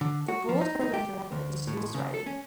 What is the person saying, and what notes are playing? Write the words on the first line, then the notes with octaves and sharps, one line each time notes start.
The Bull's program director is Jules Riley.
D3
F#4
F3
D#4
D#4
G4
D2
A2
C#3
A4
C#4